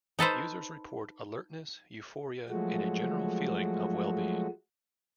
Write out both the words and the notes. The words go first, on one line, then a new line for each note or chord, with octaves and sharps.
Users report alertness, euphoria and a general feeling of well being.
D#4 A4 B4 C5
F3 F#3 G#3 A3 F#4